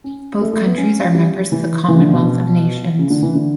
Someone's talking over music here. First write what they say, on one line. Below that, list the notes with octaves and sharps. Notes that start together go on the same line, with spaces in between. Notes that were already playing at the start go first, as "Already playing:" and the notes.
Both countries are members of the Commonwealth of Nations.
C#4
A3
A3
B3
C#4
G3
E3
E3
C#3
D3
B2
C#3
D3
E3
D3